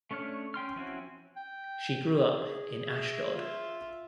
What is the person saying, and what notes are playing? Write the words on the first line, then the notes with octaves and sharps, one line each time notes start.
She grew up in Ashdod.
A3 C#4 D4 C#5 F6
C#4 G5 C6 F6
F3 C4 C#4 E4 F#4
G5
G#4
E5
F4 E5